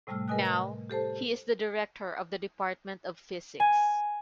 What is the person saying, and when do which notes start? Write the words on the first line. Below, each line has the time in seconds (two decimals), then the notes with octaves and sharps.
Now, he is the director of the Department of Physics.
0.07 A2 C3 G3 A3 E6 F6
0.28 A#4 B4 D#5 G#5 D#6 F#6
0.90 G4 A4 C5 A5
3.60 G#5